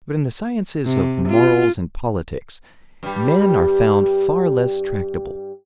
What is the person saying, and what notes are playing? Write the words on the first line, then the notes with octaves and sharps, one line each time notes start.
But in the sciences of morals and politics, men are found far less tractable.
C3
F4
G2 G3